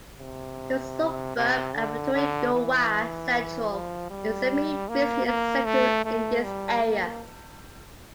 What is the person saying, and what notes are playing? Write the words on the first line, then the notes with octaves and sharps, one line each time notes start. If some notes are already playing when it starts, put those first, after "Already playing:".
The suburb of Thuringowa Central is the main business centre in this area.
C3
C3
D3
D3
E3
F3
G3
A#3
A#3
A3
A3
G3
A#3